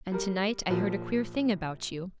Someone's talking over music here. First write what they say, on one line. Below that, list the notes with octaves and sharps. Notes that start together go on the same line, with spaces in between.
'And to-night I heard a queer thing about you.'
G3 A#4
A#1 F3 F#3